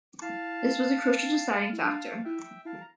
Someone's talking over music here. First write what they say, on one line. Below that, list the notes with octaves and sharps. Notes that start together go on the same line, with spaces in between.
This was a crucial deciding factor.
E4 F5 A5
E4
D4 F5 A5
E4 E5 G5
E4 F5 A5
A#5